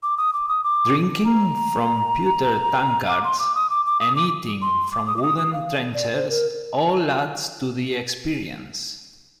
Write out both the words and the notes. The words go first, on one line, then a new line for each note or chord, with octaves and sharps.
Drinking from pewter tankards and eating from wooden trencher all adds to the experience.
D6
D#6
D6
D#6
D6
A#5
D6
C6
D6
D#6
D6
D6
D#6
D6
C6
D6
D#6
D6
D#6
D#6
F5
D5
C5
A#4